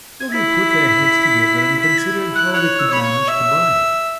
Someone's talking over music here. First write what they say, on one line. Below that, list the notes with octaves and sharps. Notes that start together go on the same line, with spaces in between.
So they put their heads together and considered how they could manage to buy it.
G#6
E4 B6
E4 B6
G#6
F#6
C#5 F#6
E6
C#5 B5
C#6
E5